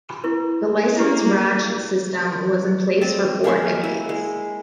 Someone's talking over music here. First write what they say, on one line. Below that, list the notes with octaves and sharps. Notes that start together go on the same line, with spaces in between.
The Licence Raj system was in place for four decades.
E4 B4
A#3 E4 G4
C4 D#5 A5
G#3 A#3 E5 F5
E4
G#3